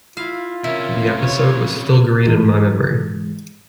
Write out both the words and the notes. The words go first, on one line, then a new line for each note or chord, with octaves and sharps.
The episode was still green in my memory.
E4 F4 F5
C3 C#4 E4 A#4
C#5
G#2 E3 G#3